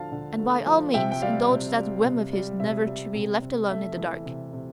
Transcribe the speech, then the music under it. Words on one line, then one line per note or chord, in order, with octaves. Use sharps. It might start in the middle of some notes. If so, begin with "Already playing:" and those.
And by all means indulge that whim of his never to be left alone in the dark.
Already playing: D3 F3 F5 A5
D3
A3
F3
C3 E5 G5
G5
G3 D5 F5
C3
G3
C3
G3
C3 E5
G3
C3
C3
A3 E5
E3
C3
C3